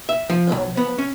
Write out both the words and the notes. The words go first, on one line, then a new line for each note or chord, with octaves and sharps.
Oh, man.
E5
F3
B1
B3
C#4